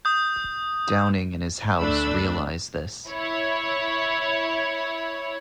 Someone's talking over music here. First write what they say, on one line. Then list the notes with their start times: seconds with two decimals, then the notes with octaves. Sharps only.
Downing and his house realized this.
0.05 D#6 G6
1.78 D2 A3 D4 B5 E6
3.09 E4 C#5